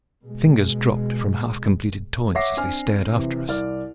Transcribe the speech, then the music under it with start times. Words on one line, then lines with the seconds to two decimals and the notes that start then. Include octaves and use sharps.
Fingers dropped from half-completed Toys as they stared after us.
0.25 B2 G#3
2.35 C#5 E5 F#5 D6 A#6 C7
2.56 C4 D4 G#5 F6
3.13 C3 E3
3.48 C2 D5 F6